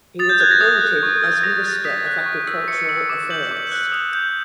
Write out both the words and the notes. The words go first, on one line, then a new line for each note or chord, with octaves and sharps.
He was appointed as Minister of Agricultural Affairs.
D#6 A6
G6
F#6 G#6
A#6
D#6
F#6
C#6
F6
D#6 A#6
F#6 A6
D#6 B6
F#6
C#6
E6
C#6 C#7
E6
D6
G6 F#7
D6
F#6
D#6
G6